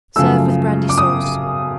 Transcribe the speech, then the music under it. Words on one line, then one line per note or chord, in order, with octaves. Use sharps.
Serve with brandy sauce.
F#2 C#3 F3 A3 E6
D6
D#6